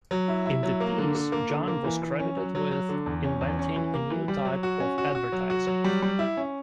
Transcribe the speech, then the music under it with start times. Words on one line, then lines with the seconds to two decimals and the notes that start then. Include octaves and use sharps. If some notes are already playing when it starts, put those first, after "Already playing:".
In the piece John was credited with inventing a new type of advertising.
0.11 F#3
0.28 E4
0.46 E4
0.63 F#3
0.80 A#3
0.98 D3
1.15 D3
1.32 A#3
1.50 D3
1.68 A#3
1.84 E3
2.02 E3
2.19 C#4
2.37 F#3
2.55 F#3
2.71 F#3
2.89 D3
3.06 E2
3.24 C#4
3.41 E2
3.59 C#4
3.76 E3
3.94 A#3
4.10 E3
4.28 G3
4.45 F#3
4.63 F#4
4.80 C#4
4.98 F#4
5.15 F#4
5.32 F#3
5.50 F#4
5.67 F#3
5.84 G3
6.02 G3
6.19 E4
6.37 C#4